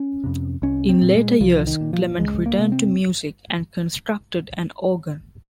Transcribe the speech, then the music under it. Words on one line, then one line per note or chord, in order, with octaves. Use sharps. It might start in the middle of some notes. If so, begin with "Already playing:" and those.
In later years, Clement returned to music and constructed an organ.
Already playing: C#4
F2 C3
C2 C#4
C4
A#2
G#3
C2 F3
D#3
A#2
F3
C#2 G#3
A#3
C3
C4